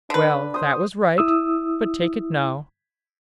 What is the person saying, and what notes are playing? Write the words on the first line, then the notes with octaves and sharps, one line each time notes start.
Well, that was right, but take it now.
D3 D4 B4
C5 D#6
E4 D#6 E6